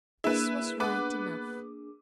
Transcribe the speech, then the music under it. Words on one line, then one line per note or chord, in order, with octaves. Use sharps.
This was right enough.
A#3 D4 E4 G#4 B4
B3 B4 D6